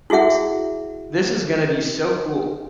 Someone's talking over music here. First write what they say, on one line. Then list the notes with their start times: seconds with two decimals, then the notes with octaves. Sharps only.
This is gonna be so cool.
0.10 E4 F#4 G#4 E5 F#5